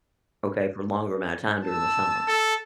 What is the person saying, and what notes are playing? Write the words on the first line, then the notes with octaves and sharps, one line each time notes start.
okay, for a longer amount of time during the summer,
A5 E6
A4